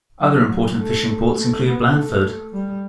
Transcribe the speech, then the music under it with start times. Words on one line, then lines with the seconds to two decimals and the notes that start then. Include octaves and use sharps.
Other important fishing ports include Blandford.
0.21 F#3
0.49 F#3
0.79 A3
1.37 A3
1.66 B3
1.95 A3
2.53 G3